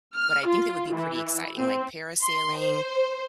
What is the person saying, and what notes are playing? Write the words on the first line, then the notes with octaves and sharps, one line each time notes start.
but I think it would be pretty exciting, like, parasailing
F6
F4
E3
C4
C6
C5